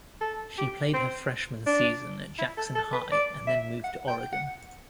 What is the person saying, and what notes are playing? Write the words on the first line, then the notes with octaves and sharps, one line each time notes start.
She played her freshman season at Jackson High and then moved to Oregon.
A4
G4
C4
D4
E4
A4
A4
B4
D5
E5
F#5
G5
F#5